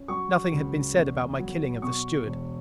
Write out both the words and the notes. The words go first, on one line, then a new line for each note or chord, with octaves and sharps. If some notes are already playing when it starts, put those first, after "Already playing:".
Nothing had been said about my killing of the steward.
Already playing: C#4
F#3 C#6
C#2
E2
F#3
B2 C#6
E1